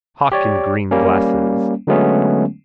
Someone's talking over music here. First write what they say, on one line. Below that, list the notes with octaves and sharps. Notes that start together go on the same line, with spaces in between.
Hock in green glasses.
G4 C#5 D5
G3 A#3 C#4
D3 F#3 G#3 A3 B3 C#4